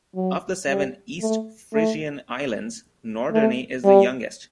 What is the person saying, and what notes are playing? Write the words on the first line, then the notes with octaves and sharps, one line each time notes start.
Of the seven East Frisian islands, Norderney is the youngest.
F#3
G3
A3
A3
A3
G3